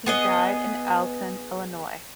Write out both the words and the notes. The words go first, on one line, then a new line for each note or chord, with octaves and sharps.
He died in Alton, Illinois.
B3 G#4 D#5